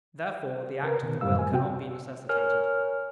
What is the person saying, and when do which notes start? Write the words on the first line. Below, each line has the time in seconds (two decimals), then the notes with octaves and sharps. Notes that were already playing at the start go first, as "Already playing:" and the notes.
Therefore the act of the will cannot be necessitated.
0.83 C#3 A#4 B4
1.03 B2 D#3
1.21 F#2 A2 D3 G3 F5 E6
1.39 G#5
1.52 C3 C4 F#4 G5
2.29 A#4 C#5 G#5 F6